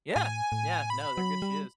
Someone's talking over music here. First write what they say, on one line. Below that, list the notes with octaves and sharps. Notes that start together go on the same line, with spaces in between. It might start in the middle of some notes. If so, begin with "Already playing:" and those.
Yeah. Yeah. No, they're good shoes.
A2 G#5
A2
B5
F#3
G3